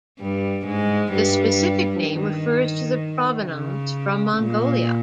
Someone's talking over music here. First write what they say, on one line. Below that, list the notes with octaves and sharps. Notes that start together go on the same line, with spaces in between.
The specific name refers to the provenance from Mongolia.
G2 G3
G#2 G#3
G2 G3
D#3
C#3
A#2